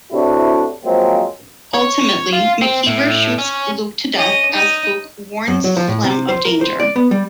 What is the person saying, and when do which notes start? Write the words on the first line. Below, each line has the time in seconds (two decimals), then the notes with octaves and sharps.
Ultimately, McKeever shoots Luke to death as Luke warns Slim of danger.
0.12 A2 C3 D4 E4 F#4
0.85 F3 F#3 G#3 A#3 C4
1.74 C#5
2.33 F4
2.61 C4
2.87 A2
3.38 C#4
4.13 C#4 D#5
4.51 D#4 D#5
5.48 F#2
5.64 F#3
5.77 F3
5.88 A2
6.04 C3
6.29 C5
6.45 A#4
6.61 C5
6.80 D5
6.96 B3
7.11 G3